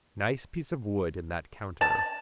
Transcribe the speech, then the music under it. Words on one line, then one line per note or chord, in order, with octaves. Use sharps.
Nice piece of wood in that counter.
A5